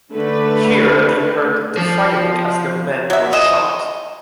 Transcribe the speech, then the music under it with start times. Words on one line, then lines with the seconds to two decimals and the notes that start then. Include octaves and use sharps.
Here, they heard the firing as their men were shot.
0.12 D3 A3 B4
1.77 F3
3.10 F#3 E5
3.33 G#4 D#5